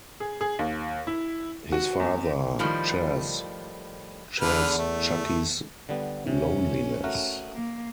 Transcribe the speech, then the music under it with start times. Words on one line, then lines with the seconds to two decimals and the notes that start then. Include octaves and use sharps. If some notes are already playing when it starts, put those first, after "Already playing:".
His father, Chas, shares Chuckie's loneliness.
0.20 G#4
0.41 G#4
0.59 D#2
1.07 E4
1.72 F#4
2.00 E2
2.59 A2 D#3 F3 G3
4.41 E2 D3 B4 F6
4.78 A3
5.89 D3 G3 B3
6.27 C3 C#4
7.04 A3 F#4 A#4
7.54 A#3